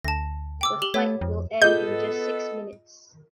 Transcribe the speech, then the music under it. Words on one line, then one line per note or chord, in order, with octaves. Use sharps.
The fight will end in just six minutes.
D2 A5 A#6
G5 D6 E6
G4 F#7 G7
A3 C#5
F2
B3 F4 G#4 A4 D#5 G6